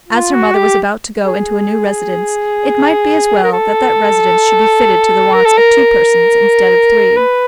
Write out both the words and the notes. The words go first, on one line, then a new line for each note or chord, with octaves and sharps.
As her mother was about to go into a new residence, it might be as well that that residence should be fitted to the wants of two persons instead of three.
F4
F#4
G4
G#4
A#4
A4
A#4
A4
A#4
B4